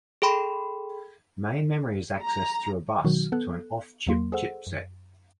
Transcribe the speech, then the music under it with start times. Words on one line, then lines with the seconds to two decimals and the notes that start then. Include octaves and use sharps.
Main memory is accessed through a bus to an off-chip chipset.
0.22 G#4 A4 G5 B5 C6
2.23 A#5
3.04 B2 D#3 F#3 F#4
3.32 B3 A4 F#6
4.06 E2 F#3 A#3 C6
4.32 G#4 A4 C5 F#5 E6
4.67 F#2